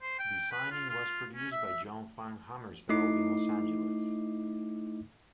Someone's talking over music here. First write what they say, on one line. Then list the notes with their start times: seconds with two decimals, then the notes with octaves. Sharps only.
Designing was produced by John Van Hamersveld in Los Angeles.
0.02 C5
0.19 G5
0.51 B4
0.71 F4
0.89 F4
1.35 C#4
1.51 E5
1.65 E5
2.89 A3 D#4 E4 D#5 D6 C7